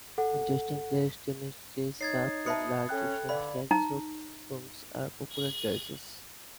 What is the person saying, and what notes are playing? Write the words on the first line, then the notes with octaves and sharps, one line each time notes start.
Interesting plates, demitasse cups, and large Asian-style soup spoons are popular choices.
A4 F#5
D#4 C#5 G#6 A6 C7
C5 E5 A5 B5 D#6 C#7
C#4 A4 G5 F#6
D3 B4 D5 F5 B5
D#4 A#5